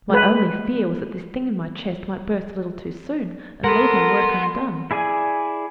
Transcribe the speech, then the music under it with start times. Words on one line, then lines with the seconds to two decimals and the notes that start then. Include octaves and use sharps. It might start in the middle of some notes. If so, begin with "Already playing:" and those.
My only fear was that this thing in my chest might burst a little too soon and leave my work undone.
0.10 G#3 B4
3.64 A4 A#4 F#5 B5 C6
4.91 E4 G#4 D5 G#5